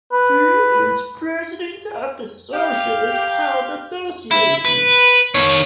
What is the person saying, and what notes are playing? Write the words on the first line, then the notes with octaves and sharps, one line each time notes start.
He is President of the Socialist Health Association.
B4
G4 F5
E4
B4
D#3 C#5